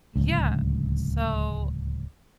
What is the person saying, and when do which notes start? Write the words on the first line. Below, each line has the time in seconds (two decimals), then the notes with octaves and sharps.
Yeah. So
0.16 D1 C#2